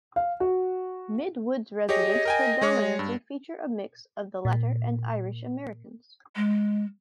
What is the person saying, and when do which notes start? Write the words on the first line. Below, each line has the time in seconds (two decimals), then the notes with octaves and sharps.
Midwood's residents predominately feature a mix of the latter and Irish Americans.
0.16 F5
0.40 F#4
1.89 G4 G#4 C#5 D#5
2.25 A#4 G5 G#5
2.61 G#3 G#4 C#5
2.99 G2
4.45 A#2
6.36 G#3